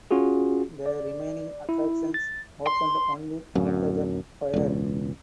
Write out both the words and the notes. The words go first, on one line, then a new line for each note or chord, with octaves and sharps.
The remaining attractions opened one week after the fire.
C#4 F4 F#4 G#4
D5
E4
A6
C6
D1 F#2
E1 C#2